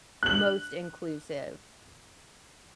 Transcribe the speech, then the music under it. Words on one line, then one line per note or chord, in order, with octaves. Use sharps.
most inclusive,
F#6 F#7